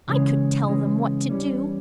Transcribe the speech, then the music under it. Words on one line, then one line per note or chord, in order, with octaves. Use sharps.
"I could tell them what to do."
C#2 C#3 E3 G#3 C#4
C#2 C#3 E3 G#3 C#4
E2 E3 G3 C#4